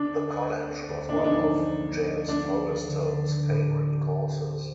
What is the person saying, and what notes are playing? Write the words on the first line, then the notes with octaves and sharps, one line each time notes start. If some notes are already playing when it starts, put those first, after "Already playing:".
The college was one of James Forrestal's favorite causes.
Already playing: D3 D4
C4
D2
A3
C4
D2
A1 D4
D#4
F3 D4
A1
A#3
A#3
A#3
A3 D4
F3
D3
D3
D3
D3
A2
A2
G4
G4
C4
C4